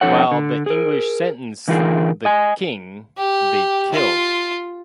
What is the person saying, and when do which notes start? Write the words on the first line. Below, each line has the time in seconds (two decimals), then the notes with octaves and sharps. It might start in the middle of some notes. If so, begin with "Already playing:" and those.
While the English sentence The king, they killed.
0.01 F2 C#4 D#4 A4 C#5 F#5
0.31 D3
0.66 G#4 A#4
1.68 D3 E3 D#4 F4 G#4 A#4
2.25 D#5 G#5
3.18 G4
3.93 F4